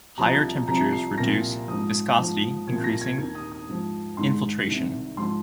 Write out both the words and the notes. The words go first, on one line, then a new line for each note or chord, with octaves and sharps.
Higher temperatures reduce viscosity, increasing infiltration.
C2 C3 F3 A#5
C2 C3 F3 A#5
C7
C2 A#2 F3 A#6
G#2 F3 D#6
G#2 F3
C2 A#2 F3 G#6
A#6
G#6
D#2 D#3 G#6
D#6
D#6
G#2 F3
G#2 D#3 C6
C2 C3 D#3
G#2 F3 C6